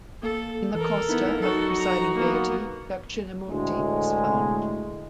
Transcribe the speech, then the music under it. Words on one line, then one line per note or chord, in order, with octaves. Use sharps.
In the kosta of the presiding deity Dakshinamurthy is found.
A#3 A4
E3 A4 A#4
B3 D#4 E4
F#3 D#4 F#4 A4
A#5
A#3 B3
D2 A2 G#3